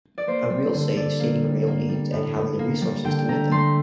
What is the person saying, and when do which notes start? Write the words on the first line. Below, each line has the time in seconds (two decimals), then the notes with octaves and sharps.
A real say is stating real needs and having the resources to meet them.
0.18 D5
0.27 A#3 C5
0.50 G3
0.74 D3
0.96 D3 D5
1.20 A#3
1.43 G3
1.67 A#3
1.89 G3
2.12 A2
2.36 A2
2.59 A#3
2.82 G3
3.04 D3 G5
3.28 A3 A#5
3.51 A3 C6